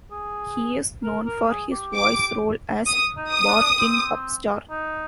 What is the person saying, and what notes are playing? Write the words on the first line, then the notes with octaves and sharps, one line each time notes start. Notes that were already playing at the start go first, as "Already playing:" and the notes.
He is known for his voice role as Bark in "Pup Star".
G#4
A#4
A#4
G#4
G4
D6
D#6
D#4
D#6
D4
C4
D#4